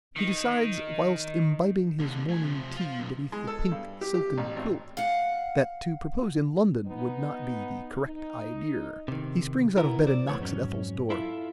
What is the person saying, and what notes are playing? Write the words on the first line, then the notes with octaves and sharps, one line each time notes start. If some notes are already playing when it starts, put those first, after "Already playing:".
He decides "whilst imbibing his morning tea beneath the pink silken quilt," that to propose in London would not be the "correct idear." He springs out of bed and knocks at Ethel's door.
D#3 D#4
D#2 D3
A3 G#5
C3 F3
F4 C5
B1 F#2
G#3
A4
G2
G4
G4
A1
G#1
F5 F#5
B3 D#4
D#4
C3 D#3
B3 E4 A#4
C5 D5
B1 E3 A3 B3 C#5
F2 G#2 F#3 C#4
E4 F4 A4 E5